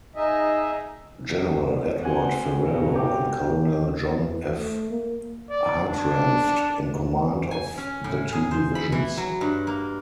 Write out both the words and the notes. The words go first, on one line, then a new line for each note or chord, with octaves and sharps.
General Edward Ferrero and Colonel John F. Hartranft in command of the two divisions.
D#4 G#4 D#5 E5
C4 F#5 G#5
G2 B2
G4
E3
A3
A#3
D5
D4
G#5
C#4
A2
G#4
C5
B5
E3
F#3
G2
A#3